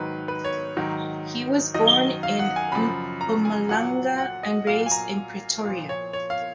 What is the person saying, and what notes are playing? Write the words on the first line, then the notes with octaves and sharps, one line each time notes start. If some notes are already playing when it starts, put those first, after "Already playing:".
He was born in Mpumalanga and raised in Pretoria.
Already playing: G#2 D#3 F#3 B4
B4
C#5
G#2 D#3 F#3
F#2 D#3 F#3 D#5
F5
F#5
G#5
F#2 C#3 F3 B5
A#5
G#5
A#2 F#3 F#5
F#5
D#5
A#2 F#3 F5
G#5
A#5
A#2 F3 F5
C#5
C#5
F5